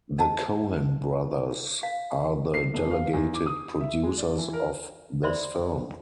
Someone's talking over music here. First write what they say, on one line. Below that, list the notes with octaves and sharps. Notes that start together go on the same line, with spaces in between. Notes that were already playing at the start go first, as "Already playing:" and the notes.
The Cohen brothers are the delegated producers of this film.
D#5 F#5 A5 A#5
F5
C7
F1
F5
E2
D6
D#6
E5
G#3
D5
E3
A#4
C5 D5 E5 B5 C6